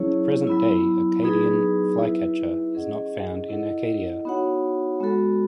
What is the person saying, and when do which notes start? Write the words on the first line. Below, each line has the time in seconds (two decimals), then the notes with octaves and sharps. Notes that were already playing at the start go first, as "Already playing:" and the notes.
The present-day "Acadian flycatcher" is not found in Acadia.
Already playing: F#3 C#4 E4 G#4 C#5
0.47 F#3 B3 E4
1.23 F#3 B3 D#4 G#4 B4
1.98 E4 B4 E5
2.74 C#4 G#4 D#5 F#5
3.48 E4 A4 D#5 F#5
4.25 B3 D#4 F#4 C#5 F#5
5.00 G#3 B3 F#4 A4